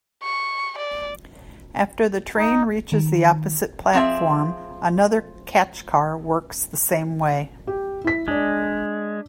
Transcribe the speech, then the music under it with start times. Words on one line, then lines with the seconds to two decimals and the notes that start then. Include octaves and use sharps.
After the train reaches the opposite platform, another catch car works the same way.
0.23 C#6
0.78 D5
2.37 D#4
2.92 D#3
3.93 F3 C4 G#4 E5
7.67 G4
8.04 E4 B6
8.28 G#3 D4 D5